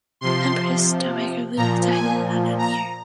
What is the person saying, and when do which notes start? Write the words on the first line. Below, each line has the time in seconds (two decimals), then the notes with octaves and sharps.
Empress Dowager Luo died in an unknown year.
0.21 C3 F3 C6
1.56 A#2 F3 A#5
1.91 G#5
2.58 A#5